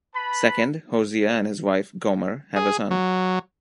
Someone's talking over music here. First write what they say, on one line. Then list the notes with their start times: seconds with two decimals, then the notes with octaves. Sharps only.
Second, Hosea and his wife, Gomer, have a son.
0.15 B4 A5 B5
2.56 G#4
2.91 F#3